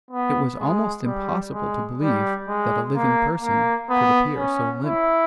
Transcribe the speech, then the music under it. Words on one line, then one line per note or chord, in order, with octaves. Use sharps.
It was almost impossible to believe that a living person could appear so limp.
B3
G#3
G3
G#3
G3
G#3
A#3
A#3
B3
C#4
E4